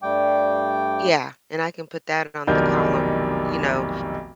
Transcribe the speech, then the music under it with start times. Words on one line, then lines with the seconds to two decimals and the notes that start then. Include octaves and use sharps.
Yeah, and I can put that on the column, you know,
0.03 G2 G3 A3 G5 D6
2.47 F1 B1 D#3 D4 A#4 G6